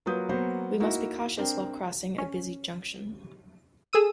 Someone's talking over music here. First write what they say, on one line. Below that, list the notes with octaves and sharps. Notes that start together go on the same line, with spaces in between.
We must be cautious while crossing a busy junction.
F#3 A#3 F4 B4 D#6 G6
F#3 A#3 B3 F#4 C5
A#3 D#4 E4 F#4
C4 D4 A#4 C5 G5
C#4
G#4 A4 D#6 E6 D#7